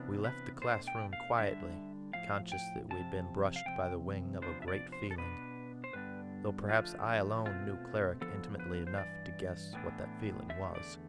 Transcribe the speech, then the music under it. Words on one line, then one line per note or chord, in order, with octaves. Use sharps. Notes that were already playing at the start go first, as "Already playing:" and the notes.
We left the classroom quietly, conscious that we had been brushed by the wing of a great feeling, though perhaps I alone knew Cleric intimately enough to guess what that feeling was.
Already playing: C3 E3 B3 D4
B4
B2 A3 D4 C5
G5
F5
D3 G3 D4 E5
A2 F3 C4 F5
G5
E2 C3 F3 A5
F5
C3 F3 C4 G5
C3 F3 B3 D4 C5
E5
D5
C5
A4
B2 B3 D4 B4
C5
G2 D3 G3 B3 D4 B4
D3 F3 A3 D4 F4
B2 A3 C4 F4
D3 F3 B3 A4
B4
C5
G2 E3 D5
A2 E3 B3 D4
E2 D3 A3 E5
D5